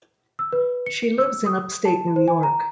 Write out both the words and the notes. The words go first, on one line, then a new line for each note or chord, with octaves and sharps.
She lives in upstate New York.
E6
B4
C#7
E6
D#6
A5
C5
G#5
A#5